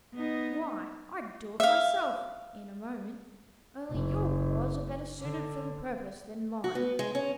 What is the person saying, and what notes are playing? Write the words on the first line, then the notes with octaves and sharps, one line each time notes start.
Why, I'd do it myself, in a moment, only your claws are better suited for the purpose than mine.
B3 D#4
E5 F5
F#1
D3
F#4
B3
G#3
C#4